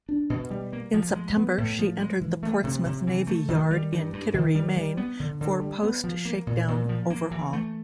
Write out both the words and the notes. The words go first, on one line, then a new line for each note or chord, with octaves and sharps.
In September, she entered the Portsmouth Navy Yard in Kittery, Maine, for post-shakedown overhaul.
D4
B2
G3
A#3
F3
G#3
B3
A2
F3
G#3
E3
A3
C3
C3
E3
A3
D#3
G3
G2
G2
D#3
G3
G3
B3
D3
D3
G3
B3
F3
A#3
A#2
A#2
F3
A#3
E3
A3